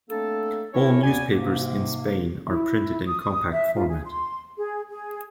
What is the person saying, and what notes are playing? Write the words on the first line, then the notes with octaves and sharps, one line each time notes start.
All newspapers in Spain are printed in compact format.
A3 A#3 C4 D4 A4
C#4 D4 E4 A4 A#4 C#5
D#2 B3 C#4 F#4 D5 G#5
G#2 C3 A#3
E4
D#6
E5
F4
G#4
C6
G#4
G#4